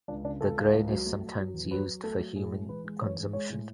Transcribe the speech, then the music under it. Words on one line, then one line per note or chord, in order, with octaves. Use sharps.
The grain is sometimes used for human consumption.
C#2 D4
C#3 D4
C#2 A4
C#2
C#2
F#3
A3
F#3
F#3
E2
F#3 B4
F#3
A3 A4
F#3
A2 G#4
G#3
E3 B4
G#3
E3 C#5
G#3
G#3 C#5
A2